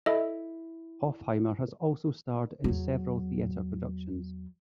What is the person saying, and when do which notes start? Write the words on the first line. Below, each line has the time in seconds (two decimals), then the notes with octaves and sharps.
Hofheimer has also starred in several theatre productions.
0.06 E4 A4 D#5
2.64 E2 F#3